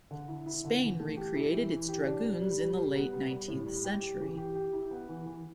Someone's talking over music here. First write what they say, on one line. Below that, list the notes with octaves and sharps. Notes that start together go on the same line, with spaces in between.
Spain recreated its dragoons in the late nineteenth century.
D3
E4
E4
D3
E3
A3
G4
E4
E3
E3
G4
D4
G3
G3
G3
G3
B3
G3
G3
A2
G3
G4
G4
E3
G4
G4
E4
B3
E3
E3